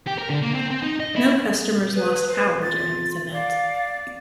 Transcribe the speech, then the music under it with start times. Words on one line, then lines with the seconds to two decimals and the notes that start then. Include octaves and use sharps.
No customers lost power during this event.
0.06 G4
0.18 A#4
0.30 D3
0.43 A#3
0.55 C4
0.71 C4
0.83 D#4
1.00 D#5
1.16 E4
1.94 G#4 B4
2.27 B4 C5
2.62 F4 A6
3.32 D5 F5